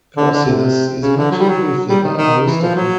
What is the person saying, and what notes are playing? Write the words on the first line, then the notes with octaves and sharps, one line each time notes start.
Carcinus is mentioned briefly by Aristotle.
D3
D3
C3
C#3
D3
F#3
G3
F#3
G3
D#3
D#3
E3
F3
F#3